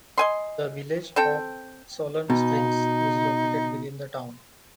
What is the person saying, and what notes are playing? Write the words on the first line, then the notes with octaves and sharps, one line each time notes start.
The Village of Solon Springs is located within the town.
D#5 G#5 C6
C4 A4 G5
B2 D#4